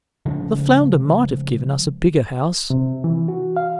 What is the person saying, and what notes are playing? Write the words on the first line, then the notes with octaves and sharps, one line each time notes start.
The flounder might have given us a bigger house.
C#3 F3 G#3 A3
C3
E3
F#4
F5